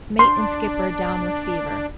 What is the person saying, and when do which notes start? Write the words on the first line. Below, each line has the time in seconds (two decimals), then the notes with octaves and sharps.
Mate and skipper down with fever.
0.19 D4 C6